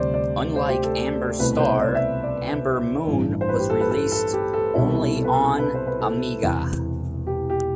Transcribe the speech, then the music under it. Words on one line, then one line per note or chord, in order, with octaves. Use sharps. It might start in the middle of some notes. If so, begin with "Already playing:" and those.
Unlike Amberstar, Ambermoon was released only on Amiga.
Already playing: D2 C3 G3 C5 D5
D5
C5
G4
A4
C2 B2 A3 C4 B4
B4
C5
D5
E5
D5
A1 G2 E3
C5
B4
G4
A4
B4
A4
A4
G4
A4
C2 B2 G3 C4 E4 A4
A4
B4
A4
B4
C5
B4
A4
E1 E2 C3
G4
G4